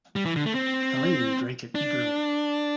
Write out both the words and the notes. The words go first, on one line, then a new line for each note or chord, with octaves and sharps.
Helene drank it eagerly.
G3
E3
D3
A3
C4
D4